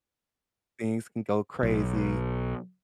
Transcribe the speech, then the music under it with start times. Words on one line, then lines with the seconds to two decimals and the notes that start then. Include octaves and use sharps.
things can go crazy,
1.63 B1